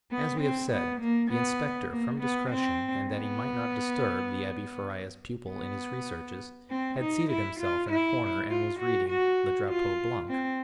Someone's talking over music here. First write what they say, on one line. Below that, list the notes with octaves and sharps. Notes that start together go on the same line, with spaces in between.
As we have said, the inspector, from discretion, and that he might not disturb the Abbe Faria's pupil in his researches, had seated himself in a corner, and was reading Le Drapeau Blanc.
B3
C4
B3
A#3
B3
A#3
B3
C4
B3
B3
C4
D#4
E4
F4
E4
F4
F#4
F#4
F4
C4